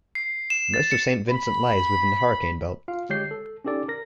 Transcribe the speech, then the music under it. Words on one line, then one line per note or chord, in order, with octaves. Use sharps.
Most of Saint Vincent lies within the Hurricane Belt.
C7
E7
A6
C#7
B5
F4 F5
D3 G#3 G4 C#5 G6 C7
A4
C#4 D#4 G4 A4 D5
A#4 A#6